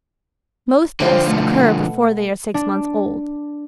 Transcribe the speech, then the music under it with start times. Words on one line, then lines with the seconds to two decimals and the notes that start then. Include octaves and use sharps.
Most deaths occur before they are six months old.
1.00 D3 F3 F4 C5 G5
1.27 B2 A3 F#5
2.54 D4